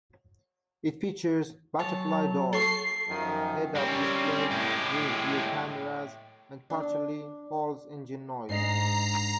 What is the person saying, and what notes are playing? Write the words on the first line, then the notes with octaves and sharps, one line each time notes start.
It features butterfly doors, head-up display, rear-view cameras and partially false engine noise.
F#3 C#5 A5
A4 C#6 C7
F#2 D#3 F3
G3 C4 C#4 A#4
A2 G#3 G4
D4
G#2 D4 D#5 A#5 C7